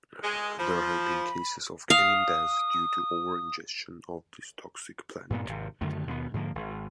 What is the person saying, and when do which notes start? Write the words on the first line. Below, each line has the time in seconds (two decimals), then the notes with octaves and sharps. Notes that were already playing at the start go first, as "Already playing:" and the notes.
There have been cases of canine death due to over-ingestion of this toxic plant.
0.23 G#3
0.59 F3 B5
1.90 F5 D#6
5.30 G2 A#2 B3
5.46 G#1 C3
5.81 F#2 D3 D#3 A3
6.07 D#2 B2 A3 B3
6.34 G#2 D3 F3 A#3
6.55 G#1